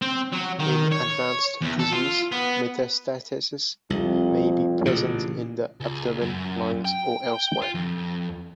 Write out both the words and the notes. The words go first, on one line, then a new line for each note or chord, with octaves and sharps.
In advanced disease, metastases may be present in the abdomen, lungs, or elsewhere.
C4
F#3
D#3
C#5
E2
A4
F4
B3
C2 F2
A1 A#2 C#3
C#2
F#2
G5
F4
F2